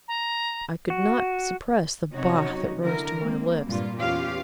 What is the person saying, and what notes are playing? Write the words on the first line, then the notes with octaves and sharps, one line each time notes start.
I could not suppress the "bah!" that rose to my lips.
A#5
F#4
C3 F#3 C#4 D#4 F#4 C#5
D3 E4 A#4
G#3 A#3 C4
G2 A#2 F4
E2 C#4 F4 G4 F5